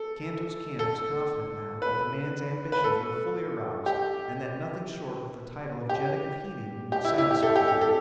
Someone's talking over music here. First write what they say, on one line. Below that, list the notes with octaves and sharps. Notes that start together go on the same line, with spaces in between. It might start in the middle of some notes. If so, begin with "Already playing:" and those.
Kantos Kan was confident now that the man's ambitions were fully aroused and that nothing short of the title of Jeddak of Helium would satisfy him.
Already playing: A4
A4
B4
B4
A4
G4
G4
G4
E4
E4
G4
A4
G4
G4
A4